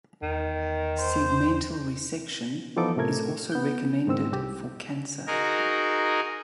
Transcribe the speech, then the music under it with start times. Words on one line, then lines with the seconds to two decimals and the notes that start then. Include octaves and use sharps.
Segmental resection is also recommended for cancer.
0.22 E2 D#3
1.00 C5
2.76 E3 F3 B3 D#4 A4 D6
2.96 A2 C3 A3 A#4 G#6
3.52 B3 G6
4.07 G#2 D#3 C4 E6
4.32 C2 G4
5.27 D#4 F#4 G#4 A#4